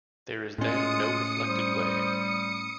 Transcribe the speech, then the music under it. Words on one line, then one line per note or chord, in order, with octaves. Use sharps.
There is then no reflected wave.
A2 G#3 C#4 F4 D#6 C#7
G3 C5